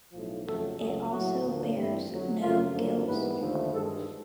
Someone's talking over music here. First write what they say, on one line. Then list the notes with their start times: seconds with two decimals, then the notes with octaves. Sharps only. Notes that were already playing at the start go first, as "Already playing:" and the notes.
It also bears no gills.
0.13 B1 A2 F3
0.45 F2 C#3 F#3 A3 A4
0.78 C#2 C#3 F#3 A3 G#4
1.10 A2 F#3 A3 F#4
1.43 D2 D3 F3 A#3
1.75 G2 E3 G3 C4 E4
2.09 F2 D3 F#3
2.40 F#2 C#3 F3 A#3 F4
2.74 F#2 D3 F3 A#3
3.06 G#2 E3 G3 B3 B4
3.39 D#2 D3 F3 A3
3.71 G2 D#3 G#3 A4